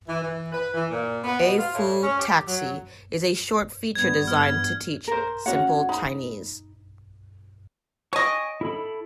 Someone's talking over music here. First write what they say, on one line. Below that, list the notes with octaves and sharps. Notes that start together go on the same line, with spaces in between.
A-Fu taxi is a short feature designed to teach simple Chinese.
E3
E3
B4
E3
A#2
B3
B2
F4
A2
C#4
G4
F#3
G2 B3 G#6
F6
A#4 C5
C#4 F#4 C#5 F#5
D#4 B5
C#5 D#5 G5 G#5 C#6
E4 A4 B5